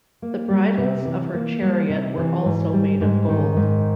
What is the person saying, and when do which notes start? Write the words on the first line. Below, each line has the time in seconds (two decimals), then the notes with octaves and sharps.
The bridles of her chariot were also made of gold.
0.22 A#3
0.50 G3
0.78 C3
1.06 E3
1.34 A#3
1.62 G3
1.89 C3
2.18 E3
2.45 G#2
2.73 G3
3.01 G#2
3.29 D#3
3.57 G#2